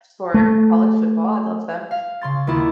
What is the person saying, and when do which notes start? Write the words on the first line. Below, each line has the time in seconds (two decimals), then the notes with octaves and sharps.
for college football; I love them.
0.34 A3
1.91 F5
2.22 C#3 C6 A6
2.47 D#2 D#3 E4 F4